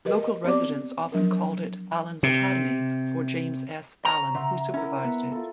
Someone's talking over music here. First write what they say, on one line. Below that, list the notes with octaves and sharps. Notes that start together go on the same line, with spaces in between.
Local residents often called it Allen's Academy, for James S. Allen, who supervised it.
G4 A#4 B4 D#5
D#5
B3 C4 G4 D5 D6
F3 F#3 D4 A#4
C3
C5 C#5 G5 A5 A#5
C#3 E5 F#5 C6
C#4 E4 A#4
B3
F4 A4